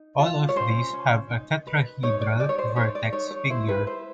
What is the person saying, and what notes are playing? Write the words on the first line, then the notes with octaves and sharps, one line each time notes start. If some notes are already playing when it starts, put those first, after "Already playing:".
All of these have a tetrahedral vertex figure.
Already playing: D#4
F4
C#5
C#4 C5
C#4
D#4
B4
D#4 C#5
D5
D#4 D5
C#5
C5
D#4 C#5
D5
D#4 C#5
C#5
E4 C5
B4
E4 C5